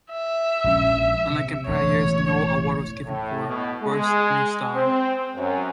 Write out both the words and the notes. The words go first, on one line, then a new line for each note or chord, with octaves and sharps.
Unlike in prior years, no award was given for Worst New Star.
E5
A#1 G#3 C#4
C3
E1 A1 E2 C#5
A2
B2
G#3
C4
F#2